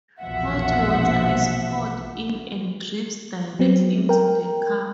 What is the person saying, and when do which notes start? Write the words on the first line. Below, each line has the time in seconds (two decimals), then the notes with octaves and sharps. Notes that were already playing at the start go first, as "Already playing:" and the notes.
Hot water is poured in and drips directly into the cup.
0.21 A#1 E2 B2 F3 E5 F#5
3.59 F#3 B3 C4
4.09 A#4 G5